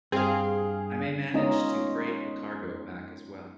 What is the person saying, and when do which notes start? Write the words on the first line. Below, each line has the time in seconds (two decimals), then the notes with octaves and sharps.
I may manage to freight a cargo back as well.
0.12 G2 C4 G#4 F5
1.33 G#3 B3 C#4 D#4 F4 D#5